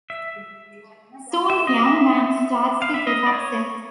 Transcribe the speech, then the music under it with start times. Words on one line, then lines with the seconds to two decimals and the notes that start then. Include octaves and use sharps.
Soon the young man starts to get upset.
0.10 E5
1.50 E5
1.67 D#5
1.84 E5
2.82 F5
2.94 E5
3.07 D#5
3.26 D5
3.32 C#5